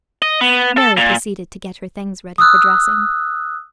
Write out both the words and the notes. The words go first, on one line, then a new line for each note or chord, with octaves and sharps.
Mary proceeded to get her things ready for dressing.
D#5
B3
A4
A#2
D#6 E6 F#6